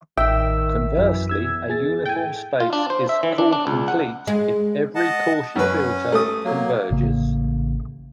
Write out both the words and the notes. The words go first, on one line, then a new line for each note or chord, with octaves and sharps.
Conversely, a uniform space is called complete if every Cauchy filter converges.
A1 D#3 E5 G5
F#2 E3
E2 E6 G#6
G#4 A6
A2 G5 G#5
F4
D4
C5
E5
E3
D4
D4
C#2
F#5
G#3
D#5 F#5 A5
F#2 C#4 B4
A3 D#6
F#3 A#3
A1 C#3 A#3